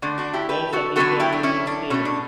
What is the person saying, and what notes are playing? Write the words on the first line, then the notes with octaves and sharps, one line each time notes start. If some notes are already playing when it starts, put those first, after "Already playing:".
There is a detail missing still.
D3 A3 D4
D4 F#4
E4 G4
G4 B4
F#4 A4
D3 F#3 B3 F#4 A4
E4 G4
D4
C#4 E4
D4
B2 A3 C#4
D4